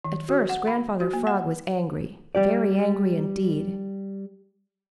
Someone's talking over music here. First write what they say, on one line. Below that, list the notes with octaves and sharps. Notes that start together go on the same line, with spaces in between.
At first Grandfather Frog was angry, very angry indeed.
D#3
F#4
F#5
B5
F#4
A#3
F#5
G3 G4 D5